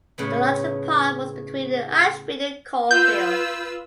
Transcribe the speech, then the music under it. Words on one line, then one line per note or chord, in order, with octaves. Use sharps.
The larger part was between Ashby and Coalville.
A2 C#3 B3
F4 B4 E6 G6